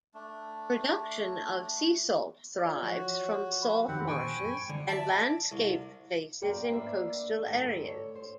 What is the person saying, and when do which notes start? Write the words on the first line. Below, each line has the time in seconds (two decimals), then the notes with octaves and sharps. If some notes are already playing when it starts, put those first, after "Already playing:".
Production of sea salt thrives, from salt marshes and landscaped places in coastal areas.
0.14 A3 D4
2.59 F4 C#5 D5
2.82 F3 F#4
3.62 B5
3.88 F2 D#3 E3 C4 G4 F#5
4.08 A#2 C5 G5 G#5 C#6
4.36 F#2 G#6
4.69 D3
4.89 D5 E5 A5
5.52 C2
6.41 F#2 B2 A#3 A#4 D5 G5
6.69 A#3 D4 B4 D5 E5
7.45 D2 G2 D#4 A4 D#5
7.85 C#5
8.15 C5